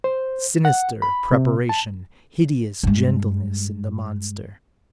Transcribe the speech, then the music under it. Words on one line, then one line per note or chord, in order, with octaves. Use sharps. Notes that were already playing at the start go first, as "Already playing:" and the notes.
Sinister preparation, hideous gentleness in the monster!
C5
F#5
B5
C3
A5
G2 G#3